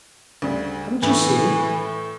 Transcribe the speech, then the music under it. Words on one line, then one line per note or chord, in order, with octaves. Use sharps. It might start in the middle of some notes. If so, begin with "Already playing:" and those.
'Haven't you seen?
D2 C#3 G3
A2 E3 A3